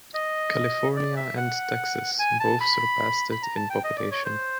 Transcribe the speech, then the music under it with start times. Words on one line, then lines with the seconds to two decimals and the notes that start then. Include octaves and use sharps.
California and Texas both surpassed it in population.
0.14 D#5
0.96 D5
1.16 E5
1.37 F#5
2.19 G#5
2.40 A5
2.60 B5
3.32 B5
3.43 A#5
3.56 A5
3.70 G5
3.84 D#5
3.97 D5
4.11 C#5
4.25 C5